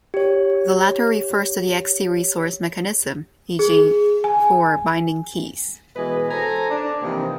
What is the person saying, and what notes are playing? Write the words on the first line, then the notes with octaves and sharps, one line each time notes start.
The latter refers to the Xt resource mechanism, e.g., for binding keys.
G4 C#5
G#4
G#5
B2 E3 G#3 B4 D#5 G#5
A4 C5 G#5 A#5
D4
C3 E3 F3 A#3 C4 D#4